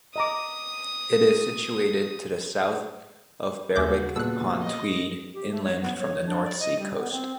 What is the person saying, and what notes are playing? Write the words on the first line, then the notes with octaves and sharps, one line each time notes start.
It is situated to the south of Berwick-upon-Tweed, inland from the North Sea coast.
D#5 A#5 D6 D#6
D#2 C#3 G3 F#4 E5 G#5 D6 G6
A#2 B3 A4 E6 F#6
D#5
G4
A3
C#5
B3
C#5
D4
D5
D#5
G3
B3
C4